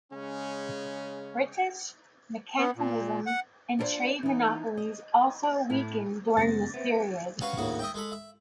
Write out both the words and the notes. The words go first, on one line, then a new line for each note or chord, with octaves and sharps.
British mercantilism and trade monopolies also weakened during this period.
C#3 G#3 C#4
B3
A#2
F#5
D4 E4 F4 C5 D5
E3 D#4
D#5
A2 E4
F#2 C#3 G#3 B3 A6 A#6
B3 C4 E5
C#4 F#4 B4 F5 C#6
A#1 D#2 A2 C#3 F#4
D#5 E5 G5
G#3 A4 B5
E5